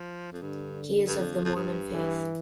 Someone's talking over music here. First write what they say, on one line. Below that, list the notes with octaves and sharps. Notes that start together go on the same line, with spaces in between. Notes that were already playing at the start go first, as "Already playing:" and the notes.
He is of the Mormon faith.
Already playing: F3
F2
G2 D3
G2
F2
F2
G2
E3